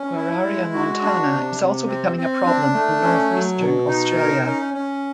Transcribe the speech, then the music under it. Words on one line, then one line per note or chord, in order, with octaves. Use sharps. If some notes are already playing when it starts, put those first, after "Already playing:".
"Pueraria montana" is also becoming a problem in northeastern Australia.
Already playing: C#4
E4
G#3
F#4
D4
C3
C3
C4
C4
D4
A3
C#4
F#3
B2
D#4
A#4
C#4
C#4